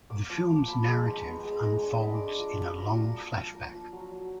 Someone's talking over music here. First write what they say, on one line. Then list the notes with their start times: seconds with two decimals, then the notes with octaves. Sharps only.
The film's narrative unfolds in a long flashback.
0.10 A#3 D6
0.29 F3 D6
0.48 A#3 D6
0.68 F3 B5
0.87 G#3 A#5
0.97 B5
1.06 G#3 A#5
1.25 B3
1.45 G#3
1.63 G#3 A#5
1.76 D6
1.83 D4
1.89 D6
2.02 G#3 B5
2.14 D6
2.20 D4
2.27 D6
2.39 F4 D6
2.59 F#3 B5
2.78 F4 A#5
2.97 D4 A#5
3.16 A#3
3.35 F3
3.54 A#3
3.73 F3
3.92 F#3 A#5
4.12 F#3